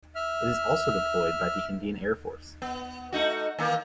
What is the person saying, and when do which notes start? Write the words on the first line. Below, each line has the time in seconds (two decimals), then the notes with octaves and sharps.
It is also deployed by the Indian Air Force.
0.16 E5 F6
2.62 B3
3.12 A3 D#4 F#4
3.59 D#3 A#3